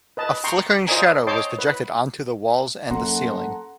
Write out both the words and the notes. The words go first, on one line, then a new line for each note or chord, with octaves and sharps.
A flickering shadow was projected onto the walls and the ceiling.
B4 D#5 A5
G5 A#5 C6 C#6
F4 C5 D5 D#5 G#5 A#5
C#5 D#5 G5 A5 C6 D6
B4
F#2 A#3 A4 F#5 A#5 C6